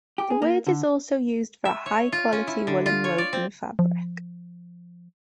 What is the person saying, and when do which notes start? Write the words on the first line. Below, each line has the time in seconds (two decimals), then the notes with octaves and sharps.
The word is also used for a high quality woolen woven fabric.
0.18 G4
0.30 G#4
0.42 A#3
0.67 D3
1.65 E5
1.86 C#5
2.12 F4
2.32 C#4
2.47 E4
2.67 D3
2.86 F4
3.04 C#5
3.18 D5
3.33 C4
3.79 F3